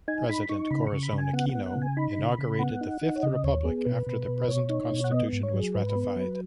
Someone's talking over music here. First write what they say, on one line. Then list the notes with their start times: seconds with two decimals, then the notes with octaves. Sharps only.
President Corazon Aquino inaugurated the Fifth Republic after the present constitution was ratified.
0.08 D#4 G#5
0.29 D#4 B5
0.49 D#4 C#6
0.71 C#3 B5
0.87 C#3 C#6
1.03 B5
1.13 C#3
1.18 G#5
1.33 B3 F#5
1.49 F#5
1.55 B3
1.66 F#5
1.75 C#3
1.82 G#5
1.97 D#4 B5
2.18 C#3
2.38 C#3
2.59 B3 F#5
2.81 D#4
3.01 D#4
3.16 C#5
3.23 C#3 D#5
3.43 D#2 C#5
3.65 B3 G#4
3.85 B2 B4
4.06 B2
4.28 B2
4.48 B2 C#5
4.69 D#4
4.91 B2
5.04 F#5
5.11 B3 D#5
5.33 G#2
5.43 C#5
5.53 F#3
5.59 G#4
5.74 G#2 B4
5.95 B3
6.16 F#3